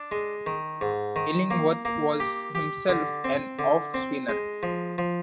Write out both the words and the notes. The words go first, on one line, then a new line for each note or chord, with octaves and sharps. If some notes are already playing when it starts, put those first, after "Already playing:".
Illingworth was himself an off spinner.
Already playing: D4
G#3
D#3
G#2
D#3
A#3
A#3
G4
G4
D3
C4
D3
C4
G#3
F3
F3